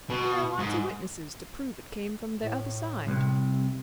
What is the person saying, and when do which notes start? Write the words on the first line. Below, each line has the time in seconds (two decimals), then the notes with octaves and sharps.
"Here are lots of witnesses to prove it came from the other side."
0.10 B2
0.60 G#2
2.39 A2
3.07 C2 C3